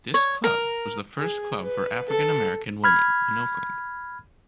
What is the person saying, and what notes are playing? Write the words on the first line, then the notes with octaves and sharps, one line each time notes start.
This club was the first club for African American women in Oakland.
C#5
A#4
G#4
B4
A4
B5 F6 G#6